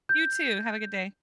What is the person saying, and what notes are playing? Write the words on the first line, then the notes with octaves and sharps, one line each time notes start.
You too, have a good day.
G6